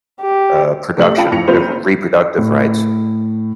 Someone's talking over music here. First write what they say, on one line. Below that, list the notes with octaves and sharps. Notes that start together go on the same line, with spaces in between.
uh, production eh, re reproductive rights
G4
C3 A3 F#7
F4 F5 G5 A5 B5
F2 A2 A#6 C#7 F7
F#1 C4 F4 C5 B5 F7
A2